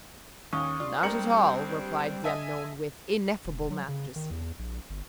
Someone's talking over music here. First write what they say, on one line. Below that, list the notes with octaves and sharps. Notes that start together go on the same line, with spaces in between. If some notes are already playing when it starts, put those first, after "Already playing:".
"Not at all!" replied the unknown, with ineffable majesty.
D#2 C#4 C#6 D#6
D4 F4
G2 G3 G#3 C4 A#4 C#7 F#7
D#5 E5 G#5 A5
E1
F#3
C#3
D#3
E2
A#1
G1